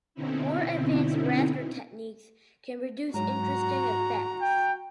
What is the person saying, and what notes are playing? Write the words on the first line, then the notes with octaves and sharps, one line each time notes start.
More advanced raster techniques can produce interesting effects.
B2 D3 C4 C#4 D#4 E4
G#2 F#3 F#4 A#5
G5